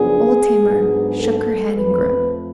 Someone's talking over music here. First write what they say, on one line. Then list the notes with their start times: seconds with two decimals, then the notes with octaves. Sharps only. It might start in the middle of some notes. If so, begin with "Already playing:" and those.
Old Tamar shook her head and groaned.
Already playing: F#2 C#3 F3 B3 D4 G#4
0.62 G#2 F#3 B3 D4
1.19 A4
1.75 F2 F3 A3 B4